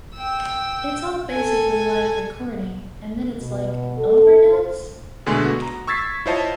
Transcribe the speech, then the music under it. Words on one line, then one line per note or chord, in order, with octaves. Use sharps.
It's all basically live recording, and then it's like, 'Overdubs?
G5 E6
A4 G#5
B2
A4
C5
B2 D3 G#3 A3 G#5 C6
B3 F#4
A#5
C#6 E6 G#6 A6 B6 C7
E4 F4 C5 C#5 D#5 A5